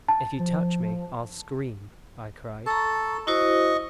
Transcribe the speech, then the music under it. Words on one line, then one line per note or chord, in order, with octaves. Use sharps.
"If you touch me, I'll scream," I cried.
A5
F3
A4 A5 A#5 C#6
E4 F#4 C5 D#5 C#6